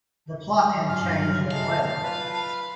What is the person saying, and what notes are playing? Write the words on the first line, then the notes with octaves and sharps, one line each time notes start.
The plot had changed as well.
F#3
G2 F4 F5 F6
G#3 A3 F5 A5
F4 B4 B5